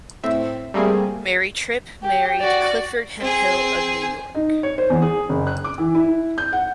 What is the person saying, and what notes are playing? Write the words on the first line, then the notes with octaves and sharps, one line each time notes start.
Mary Tripp married Clifford Hemphill of New York.
A2 C4 E5
G3 A3 A#3 C4 G#4
G4
F#4 D5
C4 G#4
D#4
C#5
C5
E2
G#4
F#1
F#6
D6
E3
E4
G6
F#5